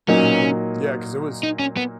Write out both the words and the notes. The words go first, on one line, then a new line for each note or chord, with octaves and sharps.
Mhm. Yeah, 'cause they was
A#2 F#3 A#3 C#4 D#4
D#4
C#4
B3